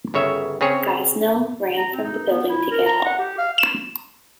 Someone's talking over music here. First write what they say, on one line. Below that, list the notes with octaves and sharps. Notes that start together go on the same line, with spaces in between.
Gosnell ran from the building to get help.
G1 C#3 C#5 E5
C#3 C4 G#4 C#5
A#5
C4
D#4
B3
E4
A#4
A#5
F#5
G4
F5
E7